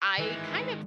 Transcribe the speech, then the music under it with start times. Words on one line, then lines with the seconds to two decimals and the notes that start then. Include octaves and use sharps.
I kind of
0.18 D#3 E3 G#3